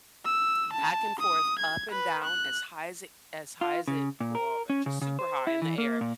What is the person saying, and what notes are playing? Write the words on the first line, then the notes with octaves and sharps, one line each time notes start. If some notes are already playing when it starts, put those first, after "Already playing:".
back and forth, up and down, as high as it as high as it well, but just super high in the air.
E6
A5
D#6
G#6
B4
F#6
F4
C#3
A#2
A#4
C#4
C#3
C#3
C5
E4
E3
A#3
A#2